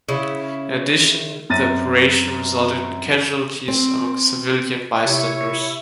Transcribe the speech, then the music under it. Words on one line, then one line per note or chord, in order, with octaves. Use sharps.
In addition, the operation resulted in casualties among civilian bystanders.
C#3 E4
F#2 C4 A6 A#6 D#7
C4
C3 E4 C#5